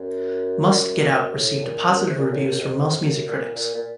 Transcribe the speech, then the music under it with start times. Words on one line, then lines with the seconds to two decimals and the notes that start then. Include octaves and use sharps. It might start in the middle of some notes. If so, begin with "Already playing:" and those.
"Must Get Out" received positive reviews from most music critics.
Already playing: F#2
1.34 A2
1.62 A#2
1.90 F#2
2.05 C3
2.18 A#2
2.32 A2
2.46 F#2
2.59 F2
3.01 F#2
3.29 A#2
3.56 A#2
3.75 A#2